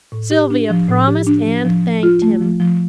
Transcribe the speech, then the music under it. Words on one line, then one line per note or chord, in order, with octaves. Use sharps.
Sylvia promised and thanked him.
A2
G4
D4
F3
A2
G4
D4
F3
F3
F3
F4
A3
F3
F3